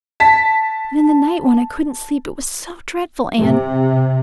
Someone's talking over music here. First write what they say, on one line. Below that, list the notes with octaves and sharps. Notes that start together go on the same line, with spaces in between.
But in the night, when I couldn't sleep--it was so dreadful, Anne.
A5 B6
C3